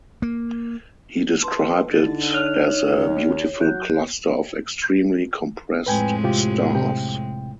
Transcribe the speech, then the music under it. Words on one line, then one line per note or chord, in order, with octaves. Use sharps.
He described it as a "beautiful cluster of extremely compressed stars".
A#3
B4 A5 C6
D3 D#4 E4 A6
C#5 F6 F#6 F7
D#2
F#3 F#6 G6
F2 A2 G#3 B4 G5 G#5
C3 F4 G4
C3 G5